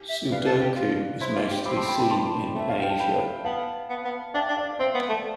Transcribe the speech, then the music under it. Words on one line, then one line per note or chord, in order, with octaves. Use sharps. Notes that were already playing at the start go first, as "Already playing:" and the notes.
Sodoku is mostly seen in Asia.
Already playing: G4
E5
B4 D5 F5
A4
G4
F4
E4 C5 E5
F4
G4
C4 B5 D6
A5 C6
G5 B5
G5 B5
A5 C6
A3 E5
F5
G5
A5
G5 B5
B3 F5 A5
B3
B3
D4 E5 G5
D4
D5 F5
C4 C5 E5
B3
A3